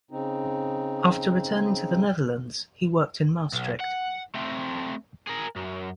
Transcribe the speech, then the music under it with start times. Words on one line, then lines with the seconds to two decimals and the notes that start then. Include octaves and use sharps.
After returning to the Netherlands, he worked in Maastricht.
0.11 C#3 C4 D#4
3.53 B1
3.80 F#5
4.35 A3 C4
5.27 G#4 A#4
5.56 F#2